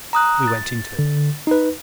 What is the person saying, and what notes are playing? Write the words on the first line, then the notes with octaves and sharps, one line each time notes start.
We went into it.
A#5 D#6 F#6
A6
D3
D#4 B4